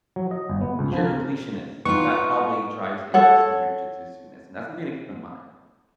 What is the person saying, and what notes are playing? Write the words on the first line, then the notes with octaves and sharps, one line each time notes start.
you're completionist; that probably drives into some of your jujitsu-ness, and that's something to keep in mind,
F#3
D#5
G1
B3
C#2
F3
A#4
B3 D#4 F4 C#6
A4 C#5 F#5